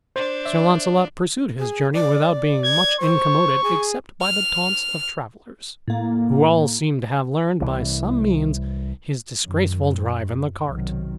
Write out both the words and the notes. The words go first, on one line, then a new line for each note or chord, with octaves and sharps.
Sir Launcelot pursued his journey, without being much incommoded except by the taunts of travellers, who all seemed to have learned, by some means, his disgraceful drive in the cart.
D4 C5
D5 E5
G#4
D5
G#6
C5 C#6
G#4
F6
A2 A#3
C2 E3
F#2 D#3
B1 C3 D#3 F#3